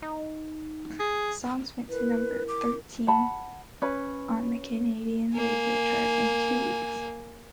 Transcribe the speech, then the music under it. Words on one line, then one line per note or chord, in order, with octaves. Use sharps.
The song went to number thirteen on the Canadian radio charts in two weeks.
D#4
G#4
E4 A#4 B4
D6
F#5 A5 B5
C#4 B4 B5
A#3 G#5